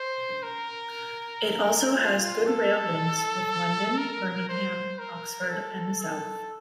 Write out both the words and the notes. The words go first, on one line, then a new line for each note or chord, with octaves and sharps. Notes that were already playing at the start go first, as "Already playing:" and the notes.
It also has good rail links with London, Birmingham, Oxford and the South.
Already playing: C5
A#4
F4
A4
A#4
C5
A#4
A4
A4